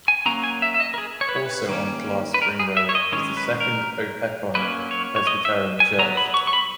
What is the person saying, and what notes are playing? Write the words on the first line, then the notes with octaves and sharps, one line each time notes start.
Also on Glass Spring Road is the Second Opequon Presbyterian Church.
G#5
F#3 A#3 C#4 A#5
G#5
E5
E5
D#5
A#4
G#4
C#5
B4
C#5
B4
D#3 A#3 C#4
B4
A#4
G#4
E5
C#5
D#5
D#3 G#3 C#4 C#5
B4
A#4
F#3 A#3 C#4 B4
C#5
C#5
D#5
E5
G#5
F#3 B3 A#5
B5
C#6
C#6
B5